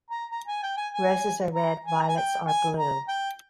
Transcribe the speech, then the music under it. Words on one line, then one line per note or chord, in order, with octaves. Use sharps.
Roses are red, violets are blue.
A#5
A#5
G#5
G5
G#5
G#5
A#5
G#5
A#5
G#5
G5
G#5
A#5
G5